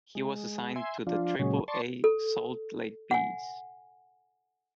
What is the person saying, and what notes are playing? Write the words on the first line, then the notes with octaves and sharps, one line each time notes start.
He was assigned to the Triple-A Salt Lake Bees.
G#3
E5 G#5 C6
F3 D4 F4
A#2 C#3 F#3 G#3 C#4
D5 A5 C6 C#6
A4
F#5 G#5